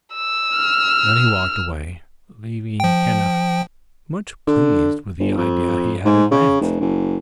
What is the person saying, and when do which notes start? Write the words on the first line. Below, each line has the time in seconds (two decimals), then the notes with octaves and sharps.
Then he walked away, leaving Kenneth much pleased with the idea he had advanced.
0.15 E6
0.56 F6
2.80 F3 G5
4.47 D3
5.20 G1
5.38 F2
6.05 G#2
6.31 C#3
6.61 F1
6.80 F#1